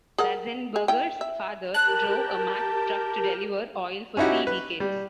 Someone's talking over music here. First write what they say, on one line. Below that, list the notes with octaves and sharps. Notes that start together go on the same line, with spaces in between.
Ratzenberger's father drove a Mack truck to deliver oil for three decades.
G#4 A#4 F#5
G#4
E4 G5
E5
G4 A#4 G5 A5 F#6
C#4 D#4 E4 F#4 G4
B4
G3